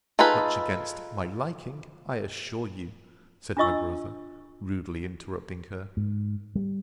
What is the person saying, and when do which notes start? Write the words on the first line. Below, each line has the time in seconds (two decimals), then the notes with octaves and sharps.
Much against my liking, I assure you, said my brother, rudely interrupting her.
0.19 D#4 F4 G#4 A4 B4
3.57 D4 E4 F4 D#5 C#6 E6
5.97 G#2
6.55 G3